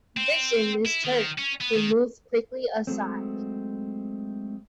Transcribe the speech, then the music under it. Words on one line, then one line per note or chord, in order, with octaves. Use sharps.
This in its turn he moved quickly aside.
C4
E4
D#3
C#4
B3
D#3
F#3 G#3 A3 C4